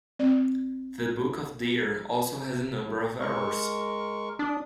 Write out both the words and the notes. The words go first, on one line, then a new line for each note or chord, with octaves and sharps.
The Book of Deer also has a number of errors.
C4 D5
G#3 A#4 C#6
D4 D#6